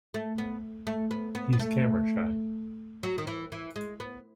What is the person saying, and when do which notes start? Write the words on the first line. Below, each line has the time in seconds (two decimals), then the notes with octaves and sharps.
He's camera shy.
0.14 A3
0.38 B3
0.87 A3
1.11 B3
1.35 B3
1.53 B3
1.59 A3
3.03 F#3
3.18 D#3
3.27 E3
3.52 E3
3.76 G#3
4.00 B3